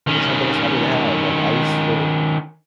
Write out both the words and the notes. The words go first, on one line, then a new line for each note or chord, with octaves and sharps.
that's not the best hobby to have. Like, I used to
D#3 C#4